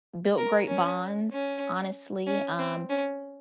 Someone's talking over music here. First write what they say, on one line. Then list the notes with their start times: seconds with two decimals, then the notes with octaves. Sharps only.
built great bonds, honestly, um,
0.37 A#4
0.68 C#4
1.32 C#4
2.27 C#4
2.58 C4
2.89 C#4